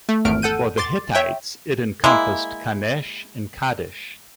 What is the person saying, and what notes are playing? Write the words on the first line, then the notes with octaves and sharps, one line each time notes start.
For the Hittites, it encompassed Kanesh and Kadesh.
A3
G#1 E2 A3 F6 D7
A4 F#5 G6 D#7
C6 D6 A6
C#5 E5 G5
G#3 A#3 E4